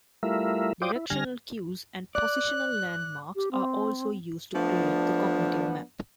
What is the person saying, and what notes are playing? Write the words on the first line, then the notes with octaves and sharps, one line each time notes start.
Directional cues and positional landmarks are also used to create the cognitive map.
G3 A3 E4 F4 A#4 E5
F4 C5 D5 G5 D6 D#6
E4
D3 G3 G#5 F6 A#6
D5 F#6
G4
C4
F3 A3 B3 D4